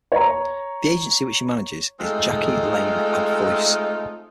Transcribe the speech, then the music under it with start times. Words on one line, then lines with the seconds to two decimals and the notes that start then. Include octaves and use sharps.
The agency which she manages is Jackie Lane Ad Voice.
0.12 C#5 A#5
2.00 G#3 A3 C4 D#4 F4 A4